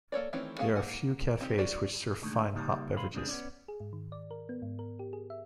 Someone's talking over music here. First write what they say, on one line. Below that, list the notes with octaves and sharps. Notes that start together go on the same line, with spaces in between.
There are a few cafes which serve fine hot beverages.
A#3 A4 C#5 D5
D#3 E3 A3 C4 C#4
A3 B3 F#4 G#4 F5
A#3 F#5 G#5
C4 D#4 G4
C#4 F#4 C5 D5
A#2 D3 D#3 G#3 A3
C#3 G3 A#3 D#4
C2 F2 G#4 F5 B5 C6
C#3 G#3 C4 D4 F#4 G#4
B3 C#4 D5
G#4
G#2
D#3
D5
A#4
B3
G#2
A#4
G4
G#4
E5